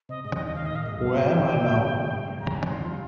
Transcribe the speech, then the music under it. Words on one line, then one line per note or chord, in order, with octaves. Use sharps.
Where am I now?
C3 D#5
G#2 D#5
D#5
D#2 D#3
D#5
D#2 D#3 F5
D#5
A#2 F5
G#2 D#5
G2 F5
G#2 G5
G#2
G2
G#2
G2
G#2 A#5
G#2 G#5
D#2 D#3 C6
F2 F3
G3 F5